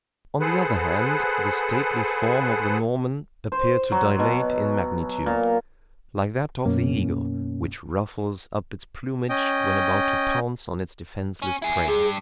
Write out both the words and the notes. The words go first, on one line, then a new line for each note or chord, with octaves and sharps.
On the other hand, the stately form of the Norman appeared to dilate in magnitude, like that of the eagle, which ruffles up its plumage when about to pounce on its defenceless prey.
G#4 A4 B4 C5 F#5
C5
F#3
B2
A#2
F#2 B2 A#3 C#4
C#4 D#5 G5
C#4
E4 G#4
G2 G#4